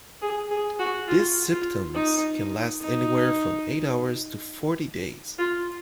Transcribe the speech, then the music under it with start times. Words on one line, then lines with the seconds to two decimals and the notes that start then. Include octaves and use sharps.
These symptoms can last anywhere from eight hours to forty days.
0.22 G#4
0.50 G#4
0.79 F#4
1.08 F4
1.51 F4
1.94 D#4
2.81 D#4
5.39 F4